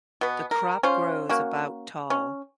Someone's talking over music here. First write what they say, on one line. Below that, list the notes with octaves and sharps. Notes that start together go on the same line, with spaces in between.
The crop grows about tall.
B2 B3
A#4
C#4 F4 C5
A#3 C#4 F#4
C#4